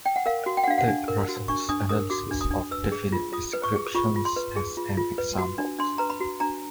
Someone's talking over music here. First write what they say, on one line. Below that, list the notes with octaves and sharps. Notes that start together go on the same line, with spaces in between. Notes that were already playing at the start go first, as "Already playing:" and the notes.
Take Russell's analysis of definite descriptions as an example.
G5
F#5
A#4 F5
F#4
G5
F#5
D4 F5
F#5
D4
A#4
F#4
D4 C#6
D4 D#6
A#4 D#6
F#4 D6
D4
D#6
D4
B4 E6
G#4
F4
F4 D#6
B4
C#6
G#4
F4 C#6
F4
C6
B4
G#4
F4
F4
B4
F#4
D4
D4 C6
B4 A#5
B5
F#4
D4 A#5